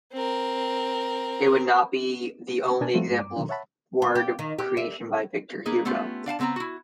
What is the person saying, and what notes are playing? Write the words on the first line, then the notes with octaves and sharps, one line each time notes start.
It would not be the only example of word creation by Victor Hugo.
C4 A#4
B2 D4 A#4 G#5 A5
F3 G3 A3 C4 F4 F#4
G#2 G#3
G2 D6
B2 D#3 F#3 D4
C#5 E5 F#5 A5 B5
F4
G4
D#3
G4
E5
A#3 D#4 G#4 B4
A3 B3 C#4 F4 G4
D4 F5 F#5 A5
C#3 B3 C4 B4 A#5
E4 F#4